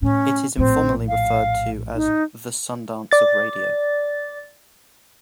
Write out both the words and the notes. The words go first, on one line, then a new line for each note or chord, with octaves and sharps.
It is informally referred to as the "Sundance of Radio".
A2 C#4
A#1 A2 C4
F5
D#4
D5 A6